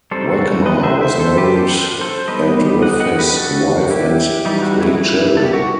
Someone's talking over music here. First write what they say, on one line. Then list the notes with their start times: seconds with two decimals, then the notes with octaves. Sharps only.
Wechmar was married and with his wife had three children.
0.11 G3 C4 D#4 A4 C5
0.30 F#4 A4
0.66 B4 D#5
0.83 C5 E5
1.01 C5 E5
1.20 A4 C5
1.38 G4 B4
1.56 A4 C5
2.01 A4 C5
2.28 G3 B3 D#4 B4 D#5
2.82 D#5 F#5
3.00 D#5 F#5
3.18 G4 B4
3.36 F#4 A4
3.90 E4 G4
4.45 E3 G3 D#4 E4
4.62 F#4
4.74 F#4
4.81 E4
4.99 E4
5.37 A4
5.45 G4
5.53 F#4